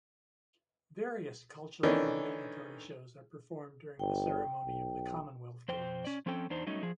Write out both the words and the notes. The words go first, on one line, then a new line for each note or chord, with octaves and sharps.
Various cultural and military shows are performed during the ceremony of the Commonwealth Games.
D#3 E3 A3 C#4 D4
G1 G5
B1
F2 C5 G5
C#4 D5
F3 C4 C#4 A4 G5
E2 D4 D#4 C5
F#3 G3 A3 C#4 D#4 D#5
F3 G#4